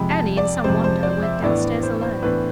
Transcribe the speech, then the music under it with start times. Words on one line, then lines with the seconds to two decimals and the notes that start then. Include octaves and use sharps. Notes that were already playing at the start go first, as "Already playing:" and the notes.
Annie, in some wonder, went downstairs alone.
Already playing: F2 C3 G#3 B5
0.10 A5
0.37 D5
0.64 F2 C3 G#3 C5
0.84 C5
1.03 D5
1.23 E5
1.42 A2 E3 B3 D4 D5
1.83 C5
2.03 C5
2.22 A2 E3 B3 D4 B4